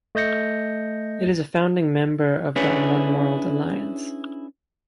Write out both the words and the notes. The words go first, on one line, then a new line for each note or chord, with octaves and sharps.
It is a founding member of the Oneworld alliance.
A3 D#5 G6 A#6 C#7
C#4 D4 E4 G#4 B4 C#5